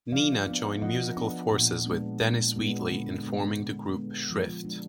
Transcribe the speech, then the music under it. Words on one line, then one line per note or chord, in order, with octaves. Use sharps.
Nina joined musical forces with Dennis Wheatley in forming the group Shrift.
F3 D5 F5
B3 D4
F3 D#5 F#5
B3 D4
A#2
G#3 B3 D4
A#2
G#3 B3 D4
D3
G#3 B3
D3
G#3 B3
F3
G#3 D4